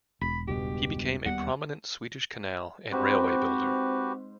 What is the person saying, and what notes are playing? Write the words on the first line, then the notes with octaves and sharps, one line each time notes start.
He became a prominent Swedish canal and railway builder.
E1 B5
C#2 G2 B2 G4
D#2 G3 B3 F#5
G#2 C4 F#4 G4 B4 C5 B5